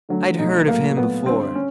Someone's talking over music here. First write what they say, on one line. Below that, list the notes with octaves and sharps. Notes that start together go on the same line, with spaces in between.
I had heard of him before.
D3 F#3 A3
B2 F#3 A3 D#4
A#2 F#3 A3 A#3
A#2 F#3 A3 B3
D3 G3 C4
C#4